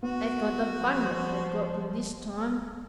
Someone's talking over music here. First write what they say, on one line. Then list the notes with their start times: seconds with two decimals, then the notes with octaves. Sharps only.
They thought the Bunyip had got them this time.
0.03 B3 F#4
0.80 F3